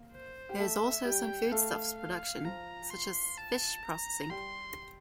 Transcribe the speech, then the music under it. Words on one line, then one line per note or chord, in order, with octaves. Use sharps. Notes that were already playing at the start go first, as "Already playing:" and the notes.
There is also some foodstuffs production, such as fish processing.
Already playing: A#3
C5
G4
A3 A4 E5
G3 G4 G5
A3 A4 F5
F5
F3 F4 A#5
C6
A5
A#5
G3 G4 C6